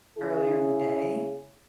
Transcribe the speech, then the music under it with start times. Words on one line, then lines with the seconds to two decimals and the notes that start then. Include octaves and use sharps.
earlier in the day?
0.19 C#3 E4 G#4